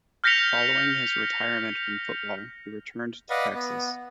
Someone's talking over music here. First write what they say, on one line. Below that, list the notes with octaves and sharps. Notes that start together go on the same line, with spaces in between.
Following his retirement from football, he returned to Texas.
F6 G6 A#6 B6 C#7 F7
B4 D5 D#5 F5 F#5 B5
B3